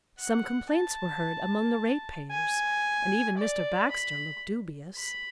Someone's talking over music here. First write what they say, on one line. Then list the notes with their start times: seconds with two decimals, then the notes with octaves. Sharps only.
Some complaints were heard among the ratepayers and even Mr. Baxter looked dubious.
0.19 F#5
0.71 A5
2.31 G#5
3.38 D5
3.91 B5
4.97 B5